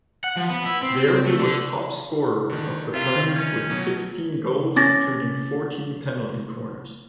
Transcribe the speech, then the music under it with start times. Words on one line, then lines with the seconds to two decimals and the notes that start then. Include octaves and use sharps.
There he was topscorer of the tournament with sixteen goals, including fourteen penalty corners.
0.24 F#5
0.37 F3
0.49 B3
0.66 E4
0.82 C4
0.97 C4
1.26 A3
1.39 D3
2.50 D3 D#3
2.94 C3 F4 E5
3.15 D#3
3.35 C#4
3.70 B2 F#3
4.76 C#4 D6 A6 A#6